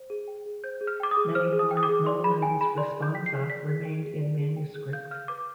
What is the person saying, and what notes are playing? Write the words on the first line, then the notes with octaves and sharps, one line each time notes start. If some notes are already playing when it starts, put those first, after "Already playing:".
Many more of Moelin's "responsa" remained in manuscript.
Already playing: C5
G#4
G5
G#4
C5 G6
G#4
F6
G5 D6
D#6
G#4
C5 F6
G#4
D#6
G5
D#6
D6
G#4
D5 C6
G#4 B5
G5 G#5
G#4 B5
D5 C6
G#4
G6
G5 B6
C7
G#4
D5 B6
G#4
G5
G#4
D5
G#4
G5
G#4
F5 G6
F5 F6
B4 D6